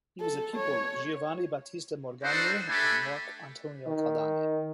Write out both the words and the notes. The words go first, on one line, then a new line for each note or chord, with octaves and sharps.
He was a pupil of Giovanni Battista Morgagni and Marc Antonio Caldani.
A4
C#5
D4 D#4 F#4 A4 B4 C5
A3 D4 G4 A4 G#5 B5
D#3